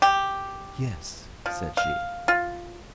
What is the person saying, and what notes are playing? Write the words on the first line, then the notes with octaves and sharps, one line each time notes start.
"Yes," said she.
G4
F3
F5
F4